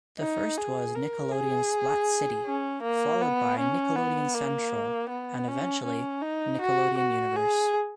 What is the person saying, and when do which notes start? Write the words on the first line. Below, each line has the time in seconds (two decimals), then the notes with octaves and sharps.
First was Nickelodeon Splat City, followed by Nickelodeon Central and eventually Nickelodeon Universe.
0.19 D#4
0.58 G#4
0.95 A#4
1.32 G#4
2.45 C#4
2.83 A#3
3.21 B3
3.59 C#4
3.96 B3
4.34 A#3
5.09 B3
5.48 C#4
5.85 C#4
6.22 D#4
6.61 F#4
6.98 F#4
7.36 G#4